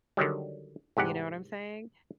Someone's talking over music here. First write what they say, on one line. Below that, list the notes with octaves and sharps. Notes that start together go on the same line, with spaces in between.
You know what I'm saying?
D3 D#3 F#3 G3
C2 G#2 G4 F#5